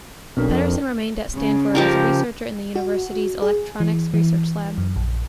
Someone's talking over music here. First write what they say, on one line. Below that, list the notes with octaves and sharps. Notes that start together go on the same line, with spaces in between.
Pederson remained at Stanford as a researcher in the university's electronics research lab.
B1 C4 D4 A#4
F2
C#3
F3 G4 A#4
F#4
G#4
E3
E3
F#2
A#1